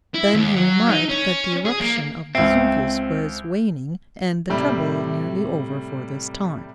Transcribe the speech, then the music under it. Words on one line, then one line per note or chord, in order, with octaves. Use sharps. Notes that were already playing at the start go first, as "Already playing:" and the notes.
Then he remarked that the eruption of Vesuvius was waning and the trouble nearly over for this time.
E4
D#2
F#3
D#4
C#4
G#4
A#3
C#2 C4 E5
A2 C3 G3